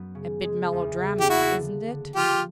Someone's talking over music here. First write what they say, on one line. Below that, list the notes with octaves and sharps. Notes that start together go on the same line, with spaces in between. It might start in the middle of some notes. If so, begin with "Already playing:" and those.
A bit melodramatic, isn't it?
Already playing: F#2 F#3 B3
C#3
G#3
E2
C#3
G4
A#3 E4 F#4
D3
D3
F3 F4 G4